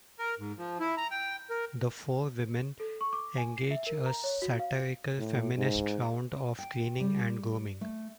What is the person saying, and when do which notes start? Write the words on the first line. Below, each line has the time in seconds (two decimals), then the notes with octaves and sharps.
The four women engage a satirical feminist round of cleaning and grooming.
0.19 A#4
0.39 G#2
0.58 F3
0.80 E4
0.97 A#5
1.11 G5
1.50 A#4
2.80 A4
3.01 C#6
3.13 D6
3.38 G#5
3.57 C7
3.71 E5
3.87 A#4
4.06 A#5
4.24 C#5
4.42 F#4
4.59 F5
5.18 A2
5.58 G#2
6.58 G5
7.00 G3
7.81 A3